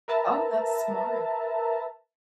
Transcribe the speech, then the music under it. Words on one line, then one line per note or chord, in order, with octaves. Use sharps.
Oh, that's smart.
A#4 B4 E5 A5 A#5